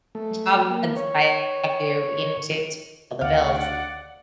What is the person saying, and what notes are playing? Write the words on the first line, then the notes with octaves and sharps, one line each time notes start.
job since I have to, you know, to to pay the bills.
A3
A#3
C#5
D2 D5 F5 F#5